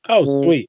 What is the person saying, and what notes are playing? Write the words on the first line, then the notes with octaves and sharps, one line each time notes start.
Oh, sweet.
C#3